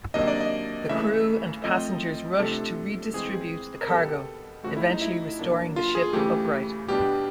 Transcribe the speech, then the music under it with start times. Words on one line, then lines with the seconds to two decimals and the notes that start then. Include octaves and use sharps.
The crew and passengers rush to redistribute the cargo, eventually restoring the ship upright.
0.14 C3 D#3 F#3 A#3 D4 D#5
0.28 D5
0.41 D#5
0.89 C#3 E3 A3 E5
1.64 F3 A3 C4 D#5
2.39 C3 F3 A3 D4 A4
3.14 E3 G#3 C4 G#4
3.81 A#4
3.88 B2 G3 B3 A4
4.63 C#3 F3 A3 F#4
4.77 E4
4.89 D#4
5.01 E4
5.39 B2 F#3 A#3 D4
5.76 F4
5.95 G#4
6.13 C#3 E3 A3 G4
6.89 B2 G3 B3 D4 G4